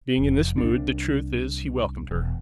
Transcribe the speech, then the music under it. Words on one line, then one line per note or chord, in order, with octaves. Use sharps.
Being in this mood the truth is he welcomed her.
F1
C2 D4
E1